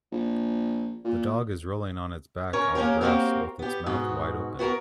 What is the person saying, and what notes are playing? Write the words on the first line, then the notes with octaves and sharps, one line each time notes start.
The dog is rolling on its back on the grass with its mouth wide open.
A#1
A#2
C#4 A#4 C#5
A#3 C#4 D4 G4 A#4
A#3 C4 D4 F#4 G4 A#4
B3 G4
G#2 B2 F#4
B3 F#4 G4 A#4